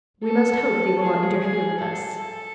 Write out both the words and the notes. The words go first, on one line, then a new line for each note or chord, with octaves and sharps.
"We must hope they will not interfere with us."
A4
G#4
G#4
A4
A4